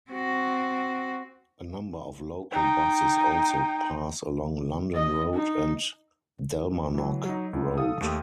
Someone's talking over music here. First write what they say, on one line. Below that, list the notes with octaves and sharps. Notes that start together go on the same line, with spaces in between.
A number of local buses also pass along London Road and Dalmarnock Road.
C4 F#4
D#4 G5
D#5
D#4
E3 F#3
F#3 D#4
D2
A4 F5 D#6
D#2 A3 G4 A4 D#6